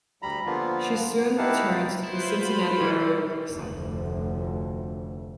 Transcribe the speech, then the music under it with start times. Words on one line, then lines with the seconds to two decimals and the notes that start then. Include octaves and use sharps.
She soon returned to the Cincinnati area with her son.
0.22 D2 G3 A#5 B5
0.46 D3 F3 A#3 B3 F4
1.16 B3
1.38 D#4 E4 G4 F5 F#5 A5
2.04 E4 F4 B4 C5
2.43 F#4 G4 B5
2.81 E3 G3 E4 E5 E6
3.51 F1 D2